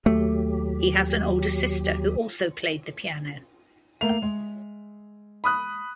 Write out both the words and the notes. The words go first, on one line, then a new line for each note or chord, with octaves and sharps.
He has an older sister who also played the piano.
D#2 F#3 A3 G4
A3 A#3 F5 F7
G#3
B5 D#6 F#6